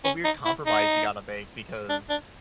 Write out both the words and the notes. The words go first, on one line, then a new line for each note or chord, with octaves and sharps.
a weird compromise you gotta make because,
C#4
D#4
E4
D#4
D4
D4